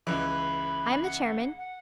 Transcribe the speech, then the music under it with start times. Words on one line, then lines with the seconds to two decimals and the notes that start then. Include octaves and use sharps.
I am the chairman.
0.07 C#2 E3 B5
1.04 F#5
1.58 F#5